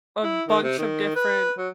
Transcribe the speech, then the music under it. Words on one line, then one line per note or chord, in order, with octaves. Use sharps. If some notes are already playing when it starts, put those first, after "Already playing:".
a bunch of different
E4
D#3
C3
D#3
B4
F#3